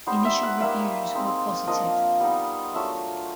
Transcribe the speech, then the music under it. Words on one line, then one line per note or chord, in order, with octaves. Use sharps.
Initial reviews were positive.
G3 B3 D#4 C5
E5
F#5
G3 A#3 D#4 E5
G#3 C4 D#4
F3 A#3 D4 F4 D#5
G3 B3 D#4
F#3 A3 D4 F4 E5